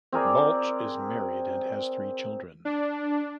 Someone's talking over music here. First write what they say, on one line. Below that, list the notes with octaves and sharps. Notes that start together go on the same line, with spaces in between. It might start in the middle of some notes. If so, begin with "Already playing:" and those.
Balch is married and has three children.
C4 G#4 A#4 D5
D4